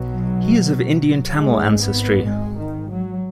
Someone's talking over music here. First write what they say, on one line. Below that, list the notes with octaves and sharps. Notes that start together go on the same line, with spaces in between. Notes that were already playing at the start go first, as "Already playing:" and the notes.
He is of Indian Tamil ancestry.
Already playing: B1 B2 F#3
G#1 G#2 G#3
B3
G#3
D#3
F#3